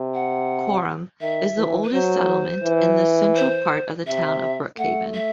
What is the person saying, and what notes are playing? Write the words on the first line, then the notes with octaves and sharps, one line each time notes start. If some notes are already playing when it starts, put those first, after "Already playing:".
Coram is the oldest settlement in the central part of the town of Brookhaven.
Already playing: C3
F#5
D#3 E5
E3
B4
F#3 C5
E3
C5
C3 E5
A3 F#5
E5